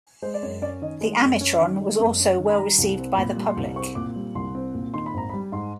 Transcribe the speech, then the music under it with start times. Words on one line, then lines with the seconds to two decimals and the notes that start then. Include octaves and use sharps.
The Amitron was also well received by the public.
0.22 G#3 C5
0.34 D5
0.43 F#2 C#5
0.62 C#4 D5
0.82 D#3 D#5
1.01 G#3
1.21 F#2
1.41 C#4
1.60 D#3
1.80 G#3
2.00 F#2
2.20 C#4
2.39 D#3
2.49 B5
2.58 G3 A#5
2.78 C2
2.98 C4
3.17 A#2 B5
3.36 G3
3.46 C6
3.57 C2
3.76 C4 C#6
3.95 A#2 D6
4.16 G3
4.35 C2 C6
4.55 C4
4.74 A#2
4.94 D#3 C6
5.06 B5
5.14 G#1 A#5
5.30 B5
5.33 G3
5.52 G#2 C6